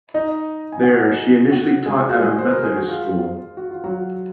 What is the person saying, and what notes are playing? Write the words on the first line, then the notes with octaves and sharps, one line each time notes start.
There, she initially taught at a Methodist school.
D#4 D#5
G#5
F#4 F#5
F#4 F#5
G#3 G#4
F#4
G#3 G#4
C5
A#4
G#4
F#4
F4
F#4
F4
F#3 F#4